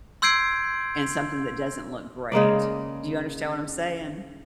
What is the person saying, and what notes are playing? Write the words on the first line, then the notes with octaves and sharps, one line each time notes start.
in something that doesn't look great. Do you understand what I'm saying?
C6 E6 G6 G#6 C7 D7
C#3 G#3 A#3 D5